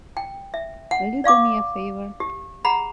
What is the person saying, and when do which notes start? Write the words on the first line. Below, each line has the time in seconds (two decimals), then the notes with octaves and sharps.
Will you do me a favour?
0.17 G5
0.54 E5
0.91 F#5
1.24 D5 F5 C#6 D6
2.20 G4
2.65 G#4 F#5 A#5 B5